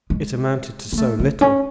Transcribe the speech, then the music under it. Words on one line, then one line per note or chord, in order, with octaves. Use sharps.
It amounted to so little!
G#3
A#3
A3
A3
C#4